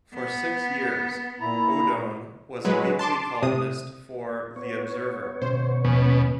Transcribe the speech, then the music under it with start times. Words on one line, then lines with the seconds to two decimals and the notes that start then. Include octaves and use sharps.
For six years Odone was a weekly columnist for "The Observer".
0.14 B3
1.40 A#2 E4 A#5
2.65 F#3 G#3 B4
2.99 A5 C6 D6
3.43 C3 D#6
4.56 B3 C#5
5.42 B2 C#4 C5
5.85 D#2 B2 F3 C#4